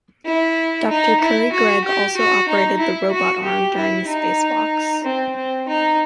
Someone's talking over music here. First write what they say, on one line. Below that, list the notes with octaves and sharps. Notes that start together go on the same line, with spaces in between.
Doctor Currie-Gregg also operated the robot arm during the space walks.
E4
D#4
E4
F#4
G4
F#4
D#4
E4
F#4
G4
E4
D#4
C4
C4
D#4